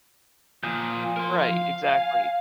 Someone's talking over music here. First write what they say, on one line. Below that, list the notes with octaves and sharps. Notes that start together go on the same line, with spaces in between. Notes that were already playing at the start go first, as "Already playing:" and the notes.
right, exactly.
A#2 F3 D#6 G6
A#4 C6
F5
G#5